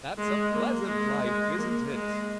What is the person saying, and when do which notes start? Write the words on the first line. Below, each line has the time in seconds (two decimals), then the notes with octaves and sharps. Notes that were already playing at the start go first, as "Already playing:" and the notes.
'That's a pleasant life, isn't it?
0.18 G#3
0.53 A#3
0.87 G#3
1.23 G#3
1.58 A#3
1.92 G#3